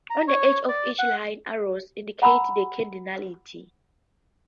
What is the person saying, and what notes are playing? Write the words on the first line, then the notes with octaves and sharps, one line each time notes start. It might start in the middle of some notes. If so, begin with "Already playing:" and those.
On the edge of each line, arrows indicate the cardinality.
A#5
C#5
D5
F#5
F#5 A#5 B5 E6